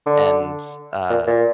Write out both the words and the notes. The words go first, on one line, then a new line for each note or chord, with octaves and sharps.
and, uh-
D3
A#2
A#2